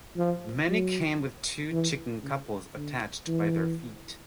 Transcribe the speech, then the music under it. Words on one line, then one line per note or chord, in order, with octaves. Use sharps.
Many came with two chicken couples attached by their feet.
F3
F#3
E3
C#3
D3
E3